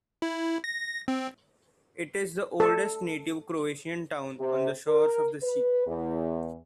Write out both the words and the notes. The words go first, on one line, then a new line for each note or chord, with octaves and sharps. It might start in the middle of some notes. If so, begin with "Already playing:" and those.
It is the oldest native Croatian town on the shores of the sea.
E4
A#6
C4
A4
C3
A#4
B4
E2